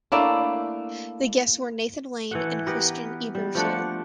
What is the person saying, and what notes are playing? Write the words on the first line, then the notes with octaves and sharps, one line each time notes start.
The guests were Nathan Lane and Christine Ebersole.
A3 A#3 D4 E4
E3 A3 F#5
B3 G4 A#4 B4
G3
F3 A3 D4 F#5